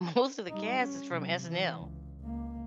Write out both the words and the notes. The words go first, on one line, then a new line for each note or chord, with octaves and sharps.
most of the cast is from SNL.
G3 D#4
C#4
C3 F#3
E3
C#2
C#2 A#3